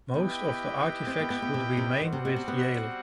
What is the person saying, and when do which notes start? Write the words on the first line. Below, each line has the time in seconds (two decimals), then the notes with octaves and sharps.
Most of the artifacts would remain with Yale.
0.14 B3 E4 G4 B4 D#5 G5
1.07 C4
1.20 B3
1.30 B3
1.42 B3
1.54 C3
1.77 C3
2.01 D#3 G3 C4 F#4 C5 F#5
2.12 C3
2.25 B2
2.36 C3
2.48 B3